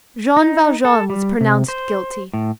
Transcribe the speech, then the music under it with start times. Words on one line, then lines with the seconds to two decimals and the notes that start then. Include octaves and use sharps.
Jean Valjean was pronounced guilty.
0.37 D#4
0.85 A4
1.10 G3
1.41 C3
1.68 C5
2.33 A2